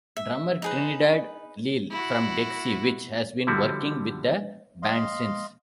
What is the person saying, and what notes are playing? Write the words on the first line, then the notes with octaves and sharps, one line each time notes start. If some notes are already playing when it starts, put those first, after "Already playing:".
Drummer Trinidad Leal from Dixie Witch has been working with the band since.
E5
D#4 G#4 B4
E4 F#4
D3 F3 G3 E4 F#4
D#5 F5 C6